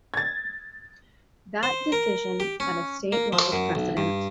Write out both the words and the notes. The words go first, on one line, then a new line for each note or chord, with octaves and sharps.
That decision set a statewide precedent.
G#6 A6
C5
A#4
G4
C#4
A#3
F3
F#2
B1
G2